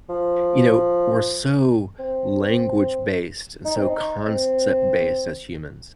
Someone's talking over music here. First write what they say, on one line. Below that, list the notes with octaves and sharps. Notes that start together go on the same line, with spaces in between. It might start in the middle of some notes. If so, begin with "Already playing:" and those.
you know, we're so language based and so concept based as humans,
F3
C4
D#4
C4
D#4
C4